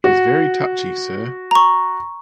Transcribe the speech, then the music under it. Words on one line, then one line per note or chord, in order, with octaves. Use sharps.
He's very touchy, sir.
F#4
A#5 C#6